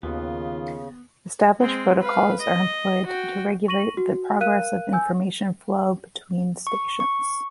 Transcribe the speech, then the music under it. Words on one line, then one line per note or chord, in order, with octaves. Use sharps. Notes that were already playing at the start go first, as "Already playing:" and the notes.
Established protocols are employed to regulate the progress of information flow between stations.
D#2 C#3 B3 F4
G#3 C4
B4 F5
D#5
F#4 G5
C#6 A#6 D#7 F#7
F#4
A#4 F5 F#6 D#7
G#5 E6 G6
C#6
C#6